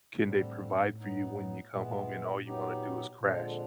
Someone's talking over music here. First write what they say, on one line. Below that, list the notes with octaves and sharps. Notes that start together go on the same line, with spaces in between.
can they provide for you when you come home, and all you want to do is crash,
A2 D3 G3 C4
F#3 B3 D#4
A#2 E3 G#3 B3
F#3 B3 D#4 G4
F2 A#2 D3 F3 G#3